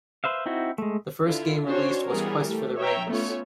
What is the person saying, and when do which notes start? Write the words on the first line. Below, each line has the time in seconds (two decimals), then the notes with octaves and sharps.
The first game released was Quest for the Rings!
0.24 B4 C5 E5 F5
0.46 C4 D#4 E4 F#4
0.78 G#3 A3
1.24 D3 E4 F4
1.65 C#4 D4 F#4 C5 C#5
2.06 E3 G3 B3 G#4 A#4
2.47 A3 G4
2.77 C#5 E5 G5 A#5
3.08 A3 B3 C#4 F4 C#5